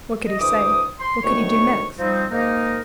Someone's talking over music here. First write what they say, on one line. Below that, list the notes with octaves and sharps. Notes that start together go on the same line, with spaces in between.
What could he say; what could he do next?
D#5
D2 E3 C5 D6 D#6
C6
D2 D#3 A3 B3 C#5 C#6
F3 G3 C4 D#4
G#2 A#3 D#4 A#4